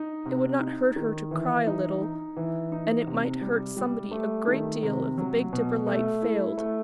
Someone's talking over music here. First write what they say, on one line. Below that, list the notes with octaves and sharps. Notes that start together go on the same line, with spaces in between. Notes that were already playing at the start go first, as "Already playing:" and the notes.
It would not hurt her to cry a little, and it might hurt somebody a great deal if the Big Dipper light failed.
Already playing: D#4
C3
D#4
D#3
E3
D#4
D#4
E3
D#4
C3
G3
G3
A3
D#3
C3
F#3
B2
A3
E4
A3